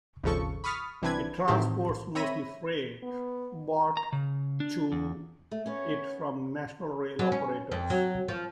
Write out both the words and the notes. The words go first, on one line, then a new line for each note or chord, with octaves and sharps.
It transports mostly freight brought to it from national rail operators.
G#1 D#2 C#3 F3 A4 C#6
B5 C#6 D#6 F6 A6 B6
C2 E3 C4 D4 B4 G#6
A2 D#3 E3 C4 G4
C4 C#5 E5 B5 A#6 D#7
B3
A#5
C#3
D4
E2
A3
B3 C#4 C#5
F#3
C#4
F2
F#3
F3